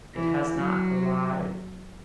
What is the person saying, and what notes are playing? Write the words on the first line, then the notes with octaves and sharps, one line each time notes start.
It has not arrived.
E3
F#3